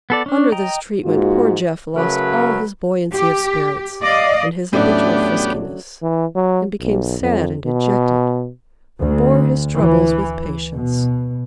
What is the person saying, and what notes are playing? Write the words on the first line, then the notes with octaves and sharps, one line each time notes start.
Under this treatment poor "Jeff" lost all his buoyancy of spirits and his habitual friskiness, and became sad and dejected, but bore his troubles with patience.
B3 A4 D5
C#4 D4
D#5 G5 A#5
G#2 A#3 F4 F#4
C#3 F#3 A3 A#4 B4
G4
D5 D#5 F5
E2 A2 F#3 A3 B3 C#4 D4 G4
E3
F#3
B1
F2
B2
D2
E3
B2